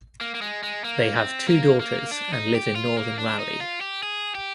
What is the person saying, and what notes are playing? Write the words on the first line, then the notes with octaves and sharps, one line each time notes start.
They have two daughters and live in northern Raleigh.
A#3
A#3
G#3
G#3
A#3
C4
A#3
A#3
D4
D#4
G4
F4
A#3
D4
D#4
F4
G4
G#4
G4